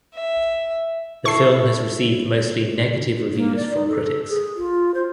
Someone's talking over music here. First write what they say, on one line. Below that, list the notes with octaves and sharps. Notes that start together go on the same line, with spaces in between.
The film has received mostly negative reviews from critics.
E5
E4 A4 C#6 C7
A#3
D5
D#4
A4
G#4
F4
C5